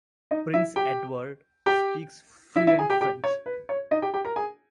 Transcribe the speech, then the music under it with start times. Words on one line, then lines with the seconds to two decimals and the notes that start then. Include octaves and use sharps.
Prince Edward speaks fluent French.
0.31 D#4 D#5
0.54 E4 E5
0.76 G4 G5
1.66 G4 G5
2.56 E4 E5
2.67 E4 E5
2.79 G#4 G#5
2.90 G4 G5
3.01 G4 G5
3.24 C#5
3.46 B4
3.69 C#5
3.91 D#4 D#5
4.02 G4 G5
4.14 G4 G5
4.25 A#4 A#5
4.36 G#4 G#5